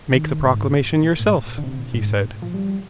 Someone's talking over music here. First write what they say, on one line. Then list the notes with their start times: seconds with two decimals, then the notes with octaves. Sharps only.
Make the proclamation yourself, he said.
0.14 D#3
0.44 G#2
1.03 A#2
1.19 G#2
1.33 A#2
1.58 D3
1.64 C3
1.79 A#2
1.94 G#2
2.24 A#2
2.42 F3
2.54 G3